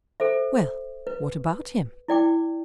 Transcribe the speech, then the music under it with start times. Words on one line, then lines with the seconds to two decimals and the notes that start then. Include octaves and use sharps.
"Well, what about him?"
0.20 A4 C5 E5
1.07 B4
2.08 E4 D5 G5 D6